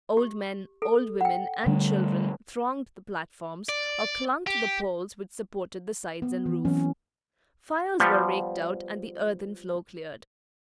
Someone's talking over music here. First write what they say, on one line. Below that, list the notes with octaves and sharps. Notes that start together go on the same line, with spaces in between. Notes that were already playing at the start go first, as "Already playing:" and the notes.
Old men, old women, and children thronged the platforms, or clung to the poles which supported the sides and roof. Fires were raked out, and the earthen floor cleared.
G4
A4
F#5 G5
D3 G3 A3
D5
G4
B3
E3
E3 F#3 C4 C#4
F3 G3 B3